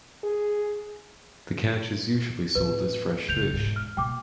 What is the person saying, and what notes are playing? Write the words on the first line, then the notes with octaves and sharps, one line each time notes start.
The catch is usually sold as fresh fish.
G#4
A2 A3 B4
F#1 G6 F7
E1 G#2
F6
B2 A#3 G5 D6